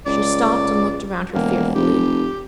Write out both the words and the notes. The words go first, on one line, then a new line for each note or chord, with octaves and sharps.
She stopped and looked around her fearfully.
C#2 D5
E1 A#3
F1 G4